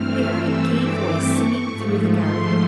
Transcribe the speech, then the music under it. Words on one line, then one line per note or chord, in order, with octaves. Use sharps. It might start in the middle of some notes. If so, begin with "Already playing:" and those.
They heard a gay voice singing through the garden.
Already playing: G2 E3 A3 C4 F6
E6
D6
C#6
G#2 F3 A3
C6